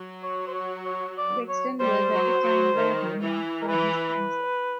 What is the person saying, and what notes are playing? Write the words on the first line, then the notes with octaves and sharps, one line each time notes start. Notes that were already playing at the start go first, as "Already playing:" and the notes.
Reksten was at the time badly marked by his cancer.
Already playing: F#3
C#5
C5
C#5
C#5
D5
C#5
G3 C5
F#3
F#3
D#3
E3
A#4
E3 B4